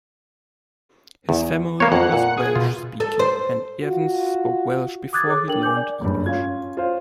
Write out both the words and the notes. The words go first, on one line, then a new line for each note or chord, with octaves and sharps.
His family was Welsh speaking, and Evans spoke Welsh before he learned English.
E2
A#3 B3 C#5
F2 F#5
A#2
G#4
B2 F4
A4
C5
F4 F#4
D6 D#6 F#6 G#6 A6
G#4 A4 C#5 D6
D4 A#4 G5 F#7
G#5 D6 G6
D5
F#1 G2
C#4 F4 G#6
F4 C5 C#5